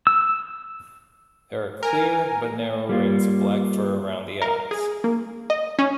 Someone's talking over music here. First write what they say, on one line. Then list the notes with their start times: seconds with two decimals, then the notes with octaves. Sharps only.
There are clear, but narrow, rings of black fur around the eyes.
0.07 E6
1.83 A#4 G#5
2.89 G3 A#3 F4
4.42 A#4
4.71 G#4
5.04 A#3
5.50 D#5
5.79 C#4